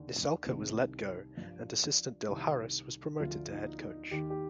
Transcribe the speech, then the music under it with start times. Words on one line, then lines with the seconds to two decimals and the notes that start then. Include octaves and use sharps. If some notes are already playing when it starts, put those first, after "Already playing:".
Nissalke was let go, and assistant Del Harris was promoted to head coach.
Already playing: D#2 D3
0.46 C2 C3 D#3
1.37 G2 F3
2.28 C2 C3 D#3
3.20 D2 D3 F3 F4
3.50 D#4
3.81 D#4
4.11 D#2 D#3 G4
4.30 G4